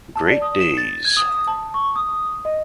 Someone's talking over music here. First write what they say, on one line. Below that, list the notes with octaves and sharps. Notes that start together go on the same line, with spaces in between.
Great days!
A5
D5
D#6
E7
A6
G#6
D#6
A5
C#6
D#6
D#5